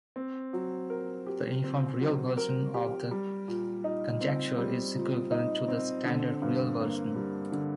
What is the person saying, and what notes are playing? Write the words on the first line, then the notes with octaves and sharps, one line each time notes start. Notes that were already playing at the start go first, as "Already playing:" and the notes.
The uniform real version of the conjecture is equivalent to the standard real version.
C4
F#3
A#4
G4
C4
F#3
A#4
G4
G3
A#2
D#4
C4
G3
A#2
D#4
C4
D3
G2
A#3
G3
D3